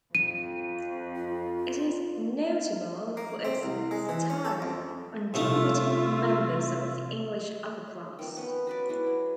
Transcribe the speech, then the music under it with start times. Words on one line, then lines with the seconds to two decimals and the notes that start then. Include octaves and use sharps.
It is notable for its satire on dim-witted members of the English upper class.
0.15 F2 D#7
1.16 F4
3.17 A#3
3.45 C4
3.63 C2
3.91 G#3
4.09 E3
4.30 C#4
4.45 A4
4.62 F2
5.34 C2 F3 A3 F4 E5
8.19 D#3 F3 C4
8.36 B3 C#4
8.67 F#4 B4 D5
8.89 G#3 B3 E4
9.07 F#3